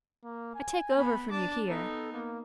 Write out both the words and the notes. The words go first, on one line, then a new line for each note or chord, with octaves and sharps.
'I take over from you here.
A#3
G#5
B3 B5
D4 A5 D6
B3 D#4 A4
A#3